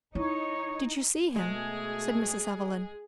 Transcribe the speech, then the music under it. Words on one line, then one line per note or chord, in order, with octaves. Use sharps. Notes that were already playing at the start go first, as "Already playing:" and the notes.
"Did you see him?" said Mrs. Evelyn.
D#4 E4 C#5
B2 G#3 A3 G#4